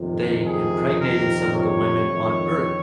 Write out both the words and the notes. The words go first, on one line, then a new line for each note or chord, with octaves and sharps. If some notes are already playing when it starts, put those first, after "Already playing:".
they impregnated some of the women on earth.
Already playing: G1 F2 C3 D#3
G#4
A#4
C#5
F2 D#3